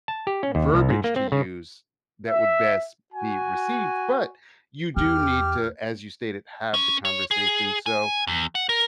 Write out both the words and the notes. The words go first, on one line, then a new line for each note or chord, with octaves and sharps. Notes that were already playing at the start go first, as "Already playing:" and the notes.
verbiage to use that would best be received, but you do need to, as you stated, have the conversation so,
A5
G4
C#4
D#2
C2
G#2
A#3
C4
C#3
E5
F#4 G#5
E2 G4 F6
C#4
C#5
G#4
G#5
E2
F#5
A#4